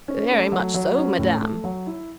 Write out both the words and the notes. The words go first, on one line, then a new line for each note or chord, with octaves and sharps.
"Very much so, madame."
C#4
A3
F#3
F#3
C#4
A2
A3
F#3
E4